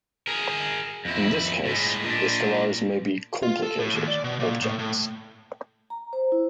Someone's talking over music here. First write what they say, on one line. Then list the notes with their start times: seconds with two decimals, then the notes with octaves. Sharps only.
In this case the "scalars" may be complicated objects.
0.27 G#4 A#4
1.05 F2 E4
1.65 A2 G#3
2.03 A#2 D4
3.43 F4
3.63 A4
3.79 A2
3.94 D#2
4.08 D5
4.24 B2
4.40 A#2
4.62 A2
4.79 A2
5.90 A#5
6.13 C5
6.32 E4